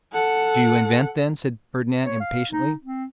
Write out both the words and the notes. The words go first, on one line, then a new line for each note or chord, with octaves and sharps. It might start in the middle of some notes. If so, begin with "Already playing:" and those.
"Do you invent, then," said Fernand impatiently.
A4 F#5
C#5
F5
D#4
C4